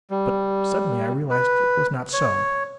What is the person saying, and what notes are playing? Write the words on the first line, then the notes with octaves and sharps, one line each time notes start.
But suddenly I realized it was not so.
G3
B4
C#5